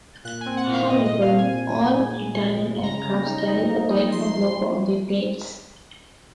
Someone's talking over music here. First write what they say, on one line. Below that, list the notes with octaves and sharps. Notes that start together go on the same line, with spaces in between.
However all Italian aircraft carry the "Typhoon" logo on their tails.
A#2 F#6
G#5
C4
F#5
A#2
F5
A#2 D#5
D#5
A#2
F5
C4
G#5
A#2
A#2
G#3
A#2
G#3
G#3
C#3 A#5
C#3
D#4
D#4
A#3
D#4
F3 C6
F3